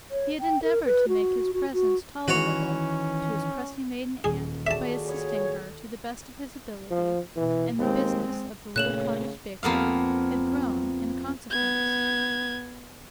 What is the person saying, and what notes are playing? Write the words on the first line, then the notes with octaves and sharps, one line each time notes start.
He had endeavoured to make his presence tolerable to his crusty maiden aunt by assisting her to the best of his ability, and the business of the little cottage bakery had grown in consequence.
C#5
G5
A#4
B4
F#4
F#4
F#4
D#3 E3 C#4 F#4 C#5
D#1 G#4
A#2 F#4 G#4 A4 C#5 D5 E5 A5
C#5 B5 D#6
F3
B2 E3
D#2 G#3 C4
A#2 C#3 A3 A#3 C#5 F#6 E7 F#7
F2 A#3 B3 F5
B3 G#6